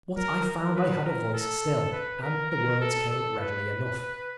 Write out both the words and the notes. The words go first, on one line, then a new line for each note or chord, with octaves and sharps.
But I found I had a voice still, and the words came readily enough.
A#4
A#4
B4
A#4
A4
B4
A#4
A#4
A4
A4
B4